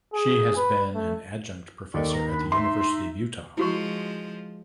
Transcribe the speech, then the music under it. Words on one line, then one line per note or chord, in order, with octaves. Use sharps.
She has been an adjunct professor at the University of Utah.
G#4
B4
A3
D#2 A4 D5 C#6
A#5
D4 B5
D#4 E5 C6
F3 G#3 E4 F#4 C#6